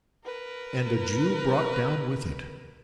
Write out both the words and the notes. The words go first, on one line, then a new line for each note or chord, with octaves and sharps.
'And a Jew brought down with it!
A#4 B4